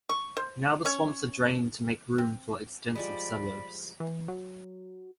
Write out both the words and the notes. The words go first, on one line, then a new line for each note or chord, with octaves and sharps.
Now the swamps are drained to make room for extensive suburbs.
C#6
C5
C#4 C#5
C4
F3 G3 G#3 D5 B5
E3
F#3